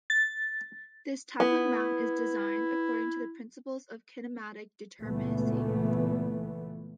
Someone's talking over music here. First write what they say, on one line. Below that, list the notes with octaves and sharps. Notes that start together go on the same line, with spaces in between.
This type of mount is designed according to the principles of kinematic determinacy.
A6
B3 E4
C#2 A#2 E3 A3 B3